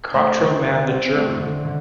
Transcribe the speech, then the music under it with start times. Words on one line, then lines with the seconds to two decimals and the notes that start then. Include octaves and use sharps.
"Kotroman the German".
0.14 A3 C5
0.40 D3
0.65 D3
0.90 C4
1.15 A3
1.40 D3
1.65 D3